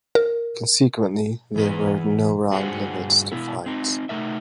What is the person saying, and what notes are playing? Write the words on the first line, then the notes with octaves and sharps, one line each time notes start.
Consequently, there were no round limits to fights.
A#4
E3 G#4 B4
G2 F#4 G#4 C5 F#5
B2 B3 E4
C4 D#4
A3 D#4 A#4 E5